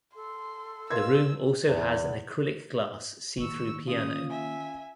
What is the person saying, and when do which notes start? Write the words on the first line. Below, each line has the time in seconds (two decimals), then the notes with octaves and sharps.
The room also has an acrylic glass see-through piano.
0.15 A4 C6
0.90 A#4 B4 D#5 F5 C6 E6 G#6
1.68 E2
3.38 D#3 A#3 C#6 E6
3.88 C#4 F4 D#6
4.30 E5 G#5